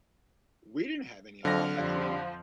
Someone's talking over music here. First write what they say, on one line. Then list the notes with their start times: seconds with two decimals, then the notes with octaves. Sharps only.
We didn't have any of that. I mean,
1.45 F2 D3 F#3 C4 F6 A#6
1.77 F2 F3 G3 F5